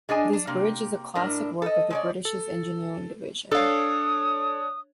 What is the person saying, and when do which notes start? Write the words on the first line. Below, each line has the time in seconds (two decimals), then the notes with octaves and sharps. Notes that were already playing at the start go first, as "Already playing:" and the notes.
This bridge is a classic work of the British's engineering division.
0.09 G#3 D4 G#4 G#5
0.33 D4
0.47 C3 A#3
1.15 A2 D4 A#4
1.62 A4 D#5
1.90 G#3 C#5 D5
2.25 A4
3.51 D4 A4 C#5 F5 D#6